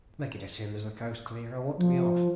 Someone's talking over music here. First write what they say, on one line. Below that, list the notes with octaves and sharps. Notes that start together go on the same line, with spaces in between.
"Make it as soon as the coast's clear--I want to be off."
F3